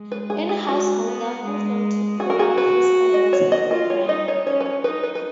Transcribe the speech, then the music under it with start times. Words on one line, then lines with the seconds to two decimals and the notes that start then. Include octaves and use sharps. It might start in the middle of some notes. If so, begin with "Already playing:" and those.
Any householder who failed to put out his fire was heavily fined.
Already playing: G#3
0.12 B4
0.30 G#4
0.49 G#4
0.68 G#3 F#4
1.06 B3
1.44 G#3
2.20 F#4 G#4
2.30 A#4
2.39 G#4
2.58 B4
3.14 D#5
3.33 C#5
3.52 D#5
3.71 F4 D#5
3.90 C#5
4.09 D#4 D#5
4.28 C#5
4.47 C#4 C#5
4.60 B4
4.66 C#5
4.84 D#4 B4
5.03 B4
5.15 B4